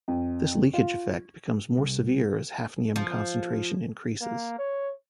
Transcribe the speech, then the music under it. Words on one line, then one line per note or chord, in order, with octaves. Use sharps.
This leakage effect becomes more severe as hafnium concentration increases.
F2
F4
C2
F3
A#3
C#5